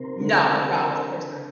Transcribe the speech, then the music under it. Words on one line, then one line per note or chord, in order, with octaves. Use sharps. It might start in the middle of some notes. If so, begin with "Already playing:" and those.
No, no, of course not.
Already playing: C3 A#4 C5
D3
D4